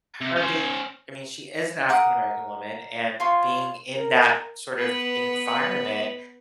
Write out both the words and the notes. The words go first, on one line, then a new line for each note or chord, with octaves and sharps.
her being I mean, she is an African-American woman and being in that sort of environment,
C3
C#4 C5
A#4 F#5 D6 D#6
F4 C#5 C6
A#4
B3 B4